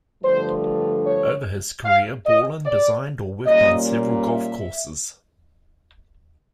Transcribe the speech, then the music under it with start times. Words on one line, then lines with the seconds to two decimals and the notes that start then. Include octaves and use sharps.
Over his career, Borland designed or worked on several golf courses.
0.23 G2 D3 F3 A3 C5
1.04 C#5
1.85 F5
2.26 D#5
2.66 D5
3.46 A#2 G3 A#3 C#4 D#5
4.28 E5